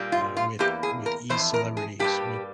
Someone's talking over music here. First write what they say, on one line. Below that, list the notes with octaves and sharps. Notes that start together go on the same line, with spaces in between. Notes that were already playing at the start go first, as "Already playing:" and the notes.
uh, with with e-celebrities, with
Already playing: A#2 G3 A#3
F4
F4
E2 E3 A#3 G4
G#4
A#4
F2 C3 E3 C5
A#4
G#4
G2 G3 A#3 G4